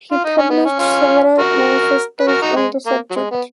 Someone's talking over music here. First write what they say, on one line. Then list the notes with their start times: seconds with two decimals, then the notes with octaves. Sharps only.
He published several manifestos on the subject.
0.11 F4
0.25 D#4
0.38 C#4
0.50 B3
0.65 C#4
0.79 C#4 F4
1.39 F#4 A#4
2.20 B4
2.28 F#4 A#4
2.42 D#4 F#4
2.56 G#3
2.87 A#3
3.11 F#3
3.16 G#3
3.31 B3